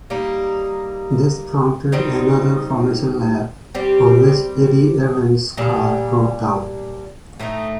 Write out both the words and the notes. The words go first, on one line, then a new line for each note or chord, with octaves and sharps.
This prompted another formation lap, on which Eddie Irvine's car broke down.
G3 A#3 D#4
D#3 G3 C4 D#4
G3 C4 G4
A#2 G3 D4
A2 A3 D#4